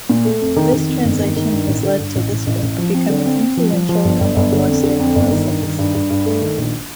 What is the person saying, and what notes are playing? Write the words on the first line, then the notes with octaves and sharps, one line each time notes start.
This translation has led to this work becoming influential among Western Muslims.
A#2
A3
F2
D#3
D#3
F2
G1
D#3
D#3
G2
A1
D3
G2
A1
A1
A1
A1
F3
C4
D3
C4
C4
F3
F3
F3
G1
G1
G1
D3
F2
D3
F2
G1
D#3
G2
D#3
G2
G2
G2
A3
D#3
A#1